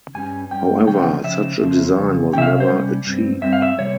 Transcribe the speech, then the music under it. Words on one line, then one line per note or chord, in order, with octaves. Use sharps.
However, such a design was never achieved.
G2 G3 C#4 G#5
G2 G3 C#4 G5
C#3 F3 C#4 G5
C#3 F3 E5
F2 C#3 F3
F2 C#3
C3 G3 C#4 E5 G5
F5
C5
C3 G3 C#4
G2 G3 C4
G2 G3 C4 E5
F5
E5
C3 G3 A#3 C#5